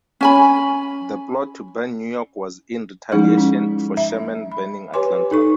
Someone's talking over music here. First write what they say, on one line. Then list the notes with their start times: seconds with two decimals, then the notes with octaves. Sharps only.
The plot to burn New York was in retaliation for Sherman burning Atlanta.
0.21 C#4 G#5 B5
3.12 F3 G#3 C#4 D#4 E4 G#4
3.37 C#4
3.97 E5
4.52 B5
4.93 G4 B4 C#5 G#5 C6 D6
5.31 D#4 A4 C#6